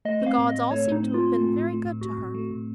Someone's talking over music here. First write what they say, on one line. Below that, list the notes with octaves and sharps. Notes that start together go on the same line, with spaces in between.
The gods all seemed to have been very good to her.
A3 D#5
C4 F5
A2
D#5
A2
A3 C#5
A2
D#4
C4
F4
C4
A3
A2
A3
A2
A2 F#4
A2
A3
A2